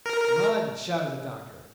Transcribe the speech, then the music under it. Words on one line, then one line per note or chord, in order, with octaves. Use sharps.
"Run!" shouted the doctor.
A#4